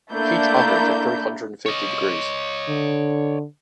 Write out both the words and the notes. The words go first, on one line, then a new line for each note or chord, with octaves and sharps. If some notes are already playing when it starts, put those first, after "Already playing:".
Heat oven to three hundred fifty degrees.
A3 A#3 D4 E4 A#4 G6
C#5 D#5
D3